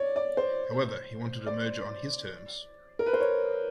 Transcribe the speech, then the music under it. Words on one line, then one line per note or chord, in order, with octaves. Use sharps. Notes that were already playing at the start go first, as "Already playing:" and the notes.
However, he wanted a merger on his terms.
Already playing: C#5 D5
D5
C5
D5
A#4
B4
C5
C#5